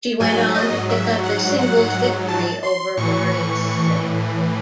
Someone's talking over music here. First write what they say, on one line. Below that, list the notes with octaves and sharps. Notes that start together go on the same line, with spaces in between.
She went on to pick up a singles victory over Maryse.
G#2 F#3 G#5
D#5
E5
F#5
F#5
A5
C6
A2 C#6
E3